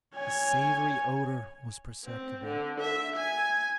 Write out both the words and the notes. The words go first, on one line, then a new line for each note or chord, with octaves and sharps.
The savoury odour was perceptible.
C#5 G#5
C4
D3
E5
G#5